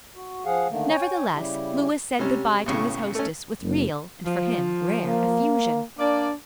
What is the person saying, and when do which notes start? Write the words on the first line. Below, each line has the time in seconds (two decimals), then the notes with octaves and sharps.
Nevertheless, Louis said good-bye to his hostess with real, and, for him, rare effusion.
0.15 F#4
0.45 F3 G#4 F5 F#5
0.69 D3 D#3 A3 A#3
0.89 C#5 G5 G#5
1.35 C#3 G3 E4 G4
2.19 C3 G3 C#4
2.66 B1 A2 C#3
3.15 A3 C#4
3.61 F#1
4.25 F3
5.07 A#3
5.99 A#3 D4 D5